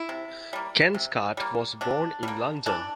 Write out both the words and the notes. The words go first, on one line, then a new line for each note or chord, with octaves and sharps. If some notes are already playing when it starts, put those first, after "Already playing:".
Ken Scott was born in London.
Already playing: E4
C3
G3 A#3
C3
G3 A#3
C3 D4
G3 A#3
E3 D4